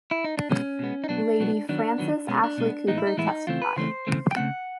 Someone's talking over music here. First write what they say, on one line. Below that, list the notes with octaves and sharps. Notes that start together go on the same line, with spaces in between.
Lady Frances Ashley-Cooper testified.
E4
D#4
D4
B2 G#3 B3 C#4
B2 G#3 B3
D#4
B2 F#3 B3 D4
B2 F#3 B3
D#3 F#3 B3 D4
D#3 F#3 B3
B2 G#3 B3 C#4
D4
B2 G#3 B3
A2 E3 G#3 B3 D#4
E4
D#4
A2 E3 G#3 B3 E4
D#4
C#3 E3 A3 C4 F4
B4
C#3 E3 A3 C4 C5
C#3 E3 A3 C4
G5
C#3 E3 A3 C4 F#5